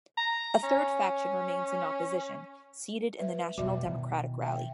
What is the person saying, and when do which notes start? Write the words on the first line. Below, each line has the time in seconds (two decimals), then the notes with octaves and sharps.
A third faction remains in opposition, seated in the National Democratic Rally.
0.17 A#5
0.63 C#4
3.19 B4 E5
3.58 E1 B2 G3 F#4 D5 E5
3.85 B2 D#3 E3
4.42 E5 G5